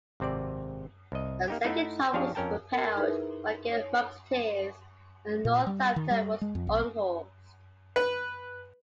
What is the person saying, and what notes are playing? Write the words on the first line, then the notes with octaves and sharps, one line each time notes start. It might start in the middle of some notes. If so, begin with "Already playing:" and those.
A second charge was repelled by Gell's musketeers and Northampton was unhorsed.
G#1 C3 C4 D5
C2 D#5
A#3 D#4 G4
A3 D#4 E4 F#5
F3 D4 G4 G#4 C#5 F5
F2 C#4 A#4 G5 A5
A#4
D#4 E4 G#4 A#4 B4 E5
C#5
A#2
G3
D#3
G3
G#3
F2
B1
B4